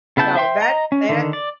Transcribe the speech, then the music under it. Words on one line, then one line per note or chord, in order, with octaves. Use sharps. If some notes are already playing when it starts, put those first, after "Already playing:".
So that that,
C#3 B3 E4 A5 G6
C5 E5 G5 C6
D#5 A#5
C#4
D3 D#3
D5